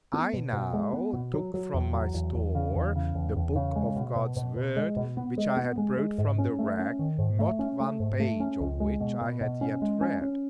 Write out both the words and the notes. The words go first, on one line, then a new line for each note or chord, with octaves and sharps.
I now took from my store the Book of God's Word, which I had brought from the wreck, not one page, of which I had yet read.
B3
B2
B2
G#3
B3
B2
F#3
F#3
E2
F#3
E2
E2
C#3
E2
C#3
E2
E2
C#3
G#3
B2
B2
B2
B2
G#3
B2
B3
G#3
B3
G#3
G#3
G#2
C#4
A3
C#4
D#3
G#2
A3
C#4
A3
G#2
A3
C#4
C#2
G#3
B2
B2
B2
C#4
G#3
C#4
C#4